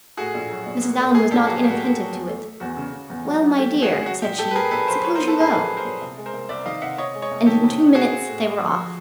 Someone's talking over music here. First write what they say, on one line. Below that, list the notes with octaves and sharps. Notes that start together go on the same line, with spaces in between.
Mrs. Allen was not inattentive to it: "Well, my dear," said she, "suppose you go." And in two minutes they were off.
A2 F#4 G#4
A#1
F#3
A#1
A#3
A2
A#3 G#4 A#4
A#1 G4 A4
F#3 F#4 G#4
A2 G4
F#4
A#3 G4
F#3
E2
A3
A3
E2 F#4
C#3
C#3
E2
F#3
F#3
A3 G4
E2
F#4 G#4
C#3
F#3 F#4
A#1 G4
A2 G4 A4
B4
A2 G#4 A#4
A#1 A4 B4
F#3 A#4 C5
F#3 B4 C#5
A#4 C5
B3
A4 B4
A2 G#4 A#4
A#1 A4 B4
F#3
A#4 C5
A#1
C2
G#3
A#4 C5
C2
C2 D5 E5
D#3 D#5 F5
C3 E5 F#5
C3 C#5 D#5
G#3
C#5 D#5
C2
D#3 G4 A4
C3
C3
C4 F#4 G#4
C4
A2
A3
F3
F3